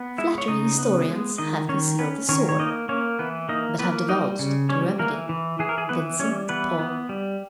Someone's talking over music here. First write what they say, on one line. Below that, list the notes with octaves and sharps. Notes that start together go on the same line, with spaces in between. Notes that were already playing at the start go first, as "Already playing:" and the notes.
Flattering historians have concealed the sore, but have divulged the remedy, Vincent de Paul.
Already playing: B3
G#3 E4 E5
C#5
C#3 D#4 D#5
B3
G#3
D#3 D#4 D#5
D#3 C#4 C#5
B3 C#4 B4
D#3 C#4 C#5
C#5
A#3 D#4 D#5
A#3 C#4 C#5
E3 B3 B4
A#3 D#4 D#5
A#3 B3 B4
G3 D#4 D#5
C#3
G3 C#4 C#5
E3 A#3 A#4
E3
E3 G#4
A#4
G#4
E3 B3 B4
G3 C#4 C#5
E3 B3 B4
B3
G3